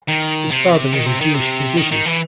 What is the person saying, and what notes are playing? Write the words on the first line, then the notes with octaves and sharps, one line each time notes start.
His father was a Jewish physician.
D#3
C3
D#3
C3
D#3
C3
D#3
D#3
E3